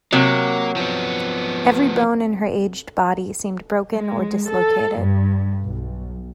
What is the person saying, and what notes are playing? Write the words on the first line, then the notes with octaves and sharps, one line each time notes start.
Every bone in her aged body seemed broken or dislocated.
C3 F#3 A#3
F3 B3
G#3
A4
G2
B1